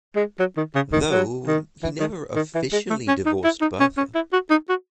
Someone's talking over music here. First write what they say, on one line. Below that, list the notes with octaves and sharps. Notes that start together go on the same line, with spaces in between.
Though he never officially divorced Bertha.
G#3
F#3
D#3
C#3
D#3
F#3
D#3
E3
D#3
D#3
E3
G#3
A3
C#4
D#4
E4
D#4
C#4
C#4
E4
F#4
D#4
F#4